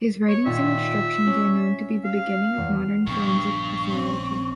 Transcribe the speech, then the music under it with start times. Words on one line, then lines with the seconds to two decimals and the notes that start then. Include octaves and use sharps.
His writings and instructions are known to be the beginning of modern forensic pathology.
0.28 C#5
0.46 A#2 D#3 E5
1.26 C#4
2.04 F5
2.58 E2
3.07 A#1 G2 C#3 B3 C#6
3.92 C4 C#4